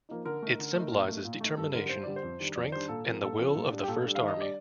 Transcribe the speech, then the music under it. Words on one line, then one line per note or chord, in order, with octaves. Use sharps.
It symbolizes determination, strength and the will of the First Army.
F3 A#3 D#4
D3 A#4
A3 D#4
D3
A3 D#4
A#2
A3 D#4
A#2
A3 D#4
G2 A4
D3 G3 A#4
G2 C5
D3 G3 D5
C5
F2
D#3 G3 D4
F2 D5
D#3 G3 D4 C5
A#2 A4
F3 C4 A#4
A#2 A4
F3 C4
A#2
G3 D4
G4
A#2 A4
G3 D4
D#3 F5
D#5
G3 D4 D5